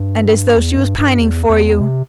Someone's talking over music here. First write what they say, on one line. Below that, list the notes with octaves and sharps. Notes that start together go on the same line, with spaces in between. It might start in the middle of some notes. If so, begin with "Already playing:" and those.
"And as though she was pining for you."
Already playing: G2
E2
G2
G2
E2
E2
C3